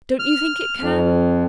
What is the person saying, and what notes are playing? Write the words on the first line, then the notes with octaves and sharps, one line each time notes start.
Don't you think it can?'
F6
F2